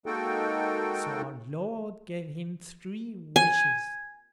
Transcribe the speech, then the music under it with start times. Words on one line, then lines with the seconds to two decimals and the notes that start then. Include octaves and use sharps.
So our Lord gave him three wishes.
0.06 G#3 A#3 D#4 F#4 A4 G5
3.36 G#5